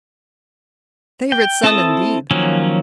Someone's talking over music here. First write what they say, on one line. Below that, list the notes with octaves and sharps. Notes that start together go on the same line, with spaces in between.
Favorite son, indeed!
G5
C4 E4 A4 A5 D#6
D#3 F3 F#3 A#3 C#4